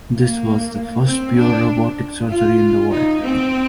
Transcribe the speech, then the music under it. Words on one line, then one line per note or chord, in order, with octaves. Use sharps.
This was the first pure robotic surgery in the world.
A#3
C4
D4
F4
D#4
C4